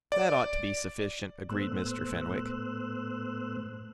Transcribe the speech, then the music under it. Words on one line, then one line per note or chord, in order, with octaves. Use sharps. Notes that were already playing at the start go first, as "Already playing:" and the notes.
"That ought to be sufficient," agreed Mr. Fenwick.
D5
A2 A3 B3 C5 E6 F#6